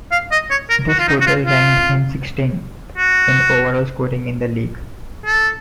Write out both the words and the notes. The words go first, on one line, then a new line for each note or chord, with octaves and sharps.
This total ranked him sixteenth in overall scoring in the league.
F5
D#5
C#5
A#4
F#4
F4
D#4
F#4
F4
F4
F#4
A4